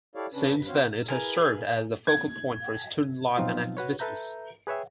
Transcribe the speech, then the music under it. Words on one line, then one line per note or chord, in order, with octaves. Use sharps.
Since then, it has served as the focal point for student life and activities.
E4 G4 A4 C#5 D5 F5
C#3 C#4 D4 B4
G2
C4 F#4 C5 C#5 F5
E4 G#4 A#4 B4 G#5
G#6
B2 F3 F#3 C4 D#4 F4
F#4 B4 C#5
A4 B4 E5 A#5 G6
G#4 B4 C#5 E5 G5